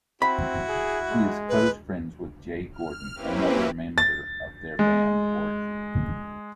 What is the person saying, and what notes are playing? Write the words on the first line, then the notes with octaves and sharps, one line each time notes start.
He is close friends with Jay Gordon, another member of their band Orgy.
C4 E4 F#4 B5
G#4
G#3
B4
F6
A#3 C4 C#4 E4 G4 B4
A6
G#3